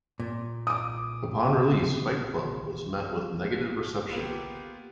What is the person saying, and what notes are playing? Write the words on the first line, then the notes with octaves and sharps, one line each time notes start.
Upon release, "Fight Club" was met with negative reception.
A#2
D6 D#6
A#3 B3 F4 G4